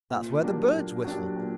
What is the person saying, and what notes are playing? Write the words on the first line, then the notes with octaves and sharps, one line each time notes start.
That's where birds whistle.
A#2
F#3 A#3 D4 G4
A#2
F#3 A#3 D4 G4
A#2